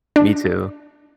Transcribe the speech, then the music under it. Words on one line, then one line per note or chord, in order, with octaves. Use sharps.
Me too.
D4